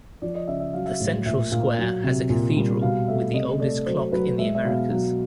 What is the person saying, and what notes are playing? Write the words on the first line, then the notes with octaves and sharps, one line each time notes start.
The central square has a cathedral with the oldest clock in the Americas.
F3 D5
D#5
C#3 E5
E5
F#3 F5
E5
A2
A#2 E5
A#2 F5
F#3
C3
A#2
G3
B2 F5
A3 E5
C3 D#5
A3 D5
F#3 C5
F#3 B4
G#3 E5
E5
B2 F5
F#3